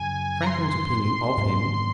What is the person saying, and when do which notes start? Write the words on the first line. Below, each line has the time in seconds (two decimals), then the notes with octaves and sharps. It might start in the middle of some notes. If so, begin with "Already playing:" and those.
Franklin's Opinion of him.
Already playing: F#2 C#3 F3 G#5
0.42 A#5
0.47 C6
1.37 G#2 F#3 A#3 C#4